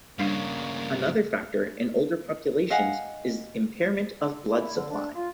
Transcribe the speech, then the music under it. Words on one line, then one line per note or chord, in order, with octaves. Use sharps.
Another factor in older populations is impairment of blood supply.
G2 C#3 G3 A#3 D4 F5
D#5 F5 F#5 G#5
E4
D3
D4
F4